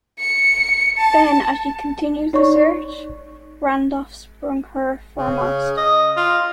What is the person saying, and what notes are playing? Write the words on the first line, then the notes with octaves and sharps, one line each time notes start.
Then, as she continued the search, "Randolph" sprung her foremast.
C#7
A5
D#4 C#5 D5 C#6
C#3
D#5
F4